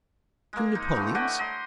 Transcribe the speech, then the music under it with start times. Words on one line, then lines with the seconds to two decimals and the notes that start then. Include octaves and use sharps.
"Two napoleons."
0.53 G#3 A#3
0.75 D#4
0.95 D3 E3 A3
1.15 G4 C#5 D#5 F#5
1.39 D#5 A#5 C6